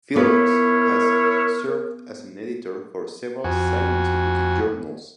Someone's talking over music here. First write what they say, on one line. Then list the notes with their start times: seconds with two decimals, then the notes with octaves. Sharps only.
Filloux has served as an editor for several scientific journals.
0.16 B3 E4 F4 A#4 B4 C#5
3.44 F2 F#4 G#5